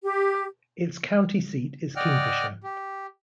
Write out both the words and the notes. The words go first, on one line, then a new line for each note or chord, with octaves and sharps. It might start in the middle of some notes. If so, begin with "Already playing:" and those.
Its county seat is Kingfisher.
G4
D5 D#5 F#5 G5 F6
G4